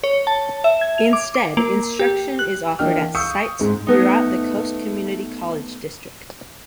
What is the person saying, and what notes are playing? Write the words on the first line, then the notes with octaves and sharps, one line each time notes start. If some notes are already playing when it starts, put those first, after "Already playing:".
Instead, instruction is offered at sites throughout the Coast Community College District.
C#5
A5
E5
G#6
F7
D6
D6
A#3
G4
F#6
E3 A#3 D4 D#5 G5 F6
F5 C#6 D#6 E6 G6 C#7
G#2 G#3 C4
A3 B3 D#4